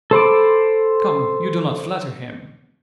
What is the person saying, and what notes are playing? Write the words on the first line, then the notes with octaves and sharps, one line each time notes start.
"Come, you do not flatter him."
A4 C5 B5 D6